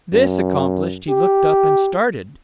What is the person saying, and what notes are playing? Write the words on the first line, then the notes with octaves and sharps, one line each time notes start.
This accomplished, he looked up and started.
F#2
G4